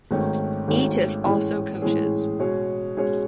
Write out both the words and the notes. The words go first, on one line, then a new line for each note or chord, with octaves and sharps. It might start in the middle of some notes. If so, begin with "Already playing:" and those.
Eatough also coaches.
G#1 G#2 D#3 A3 C#4
G#1 G#2 D#3 A3 C#4
A2 E3 G#3 C#4 G#4
A2 E3 G#3 C#4 G#4
B2 G#3 C#4 G#4 C#5
B2 G#3 C#4 G#4 C#5